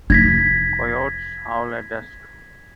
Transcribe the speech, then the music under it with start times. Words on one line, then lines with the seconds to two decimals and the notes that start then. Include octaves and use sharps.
Coyotes howl at dusk.
0.10 F1 D#4 G#6 A#6 B6